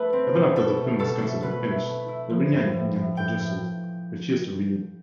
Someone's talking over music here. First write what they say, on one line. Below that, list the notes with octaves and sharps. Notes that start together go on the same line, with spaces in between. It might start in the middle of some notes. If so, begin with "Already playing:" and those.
Even after the film was considered finished, the Iranian producers refused to release it.
Already playing: A3 E4 B4
C4
B2
B2 A4
A3
B2 A4
A3
B2 B4
E4
A3
E4
F3
A2
A2
A2
A2 G5
A2